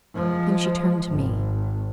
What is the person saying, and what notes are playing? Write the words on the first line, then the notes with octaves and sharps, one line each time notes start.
Then she turned to me.
F3 G#3
G#1